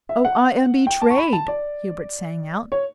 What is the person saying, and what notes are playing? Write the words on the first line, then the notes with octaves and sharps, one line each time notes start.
"Oh, I am betrayed!" Hubert sang out.
E5
F#5
G5
A5
C#6
B5
A5
D5
C#5